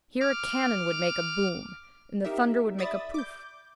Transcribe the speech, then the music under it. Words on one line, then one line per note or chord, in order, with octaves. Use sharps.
Here a cannon would make a boum, and the thunder would make a pouf.
D6 F6
D#4 G4 A#4 E5
D5 E5 B5 D#6 A6
D6 G6